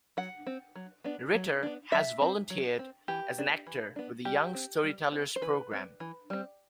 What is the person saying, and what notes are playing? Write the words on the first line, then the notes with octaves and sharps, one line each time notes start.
Ritter has volunteered as an actor with the Young Storytellers Program.
F#3 F#5
C4
F#3
B3 D4
F#3
B3 D4
F#3 E5
C4
F#3
C4
E3 G4
B3 D4
E3
B3 D4
G3 G4
C4
G3
C4
C5
E3 B4
G3 C4
E3
G3 C4